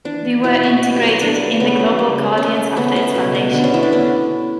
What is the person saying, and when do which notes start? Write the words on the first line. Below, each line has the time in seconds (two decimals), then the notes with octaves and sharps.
They were integrated in the Global Guardians after its foundation.
0.05 E3 D4
0.25 E3
0.44 B2 E4
0.63 B2 F#4
0.83 B3 F#4
0.96 G4
1.02 F#3
1.09 A4
1.21 B3 D4
1.41 G3
1.60 C#3 B3
1.80 F#3
1.99 G3
2.18 C#3
2.38 A3 C#4
2.57 C#3
2.76 C#3 B3
2.96 A3 C#4
3.15 B2
3.35 B2
3.53 D3 B3
3.64 C#4
3.73 A3 E4
3.83 D4
3.92 B3 C#4